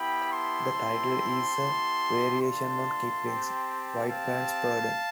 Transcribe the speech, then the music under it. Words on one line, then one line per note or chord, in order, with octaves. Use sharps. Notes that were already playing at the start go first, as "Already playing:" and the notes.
The title is a variation on Kipling's "White Man's Burden".
Already playing: B3 E4 G4 G5 B5
A5 C6
C4 E4 G4
B3 E4 G4
A3 D4 F4 A5 C6
C4 G4
C4 G4 F5 A5